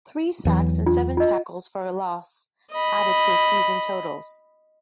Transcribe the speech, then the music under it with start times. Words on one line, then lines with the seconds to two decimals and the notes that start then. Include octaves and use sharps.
Three sacks and seven tackles for a loss added to his season totals.
0.45 E2 E3 F#3
0.86 F4
1.17 F4 D#5
2.72 D#5 B5